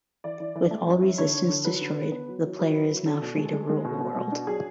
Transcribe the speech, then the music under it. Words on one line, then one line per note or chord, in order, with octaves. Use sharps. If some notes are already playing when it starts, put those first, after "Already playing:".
With all resistance destroyed, the player is now free to rule the world.
E3 D5
E3
E3
A3
F#2
F#2
D3 C#5
D3
D3
F#3 B4
D3
D3
B3
F#3
F#3
F#3 B4
E4
F#3
D4 A4
B2
G#3
G#3
G#3
B2
B2
B2
D4
F#3 G#4